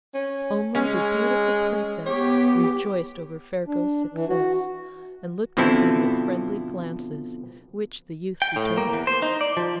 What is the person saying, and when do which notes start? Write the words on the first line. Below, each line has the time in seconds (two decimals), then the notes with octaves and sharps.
Only the beautiful Princess rejoiced over Ferko's success, and looked on him with friendly glances, which the youth returned.
0.14 C#4
0.75 G#3 C#4
2.06 B3 G4 C#5
3.67 D4
4.14 E3
4.29 F#4
5.57 B2 D3 F3 C4 E4 A4
8.42 G5
8.56 A2
8.78 A#3
8.93 E2
9.07 C5
9.22 D#4
9.41 D5
9.57 F3